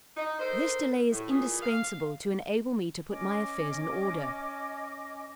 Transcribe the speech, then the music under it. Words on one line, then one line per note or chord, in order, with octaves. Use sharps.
This delay is indispensable to enable me to put my affairs in order.
D#4
D#4 A4 A#4 C5
A2
A#2 E3 G#4
F5
C#4 D#5 D6